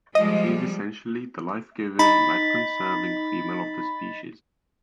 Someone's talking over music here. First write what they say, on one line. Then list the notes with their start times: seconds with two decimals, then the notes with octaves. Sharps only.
She is essentially the life-giving, life-conserving female of the species.
0.15 F3 G3 G#3 D#5
1.99 D#4 B5 A6